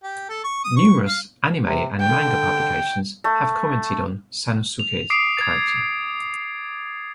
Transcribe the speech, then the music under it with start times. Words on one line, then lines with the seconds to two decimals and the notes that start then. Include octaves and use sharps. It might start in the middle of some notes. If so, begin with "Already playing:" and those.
Numerous anime and manga publications have commented on Sanosuke's character.
0.03 G4
0.29 A4
0.44 C#6
0.64 D#6
0.76 C#6
1.06 F5
1.62 C3
2.00 D3 G5
3.24 A3
4.79 F7
5.10 D6 D#6 C7 D7
5.37 G#6 A6